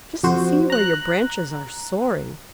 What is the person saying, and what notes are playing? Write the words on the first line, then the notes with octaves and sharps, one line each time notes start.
Just see where your branches are soaring.
F2 F#4 C5
A#5 F#6